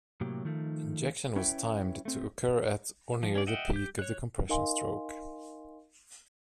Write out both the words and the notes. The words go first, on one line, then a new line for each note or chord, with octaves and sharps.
Injection was timed to occur at or near the peak of the compression stroke.
A2 C3 F#3 A#3 G4
D#3 F3 A3 D#4
C#4 E4 B4 C#5 E5 G5
A3 C4
F3
C#4 D5
D#5 E5 F#5 G5
G4 G6
C#5 F#6
D#4 A#4 D#5 F5 G#5 C6